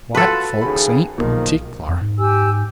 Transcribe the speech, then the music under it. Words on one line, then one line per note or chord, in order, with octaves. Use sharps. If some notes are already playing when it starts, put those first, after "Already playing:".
White folks ain't partic'lar.
F4 F#4 A4 B4 A5
D#2 A2 C#3 F#4 G#4 B5
B1 A#2 D#3 F3 A#3
F2
G#2
G4 G#5 E6